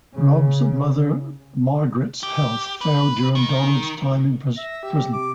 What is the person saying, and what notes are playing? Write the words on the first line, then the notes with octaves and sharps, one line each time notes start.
Rob's mother Margaret's health failed during Donald's time in prison.
C#3
G4
B4
D#3
E5 A#6
G4
C3 D6